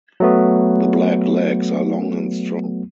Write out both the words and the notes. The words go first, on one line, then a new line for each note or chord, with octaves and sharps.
The black legs are long and strong.
F#3 A3 B3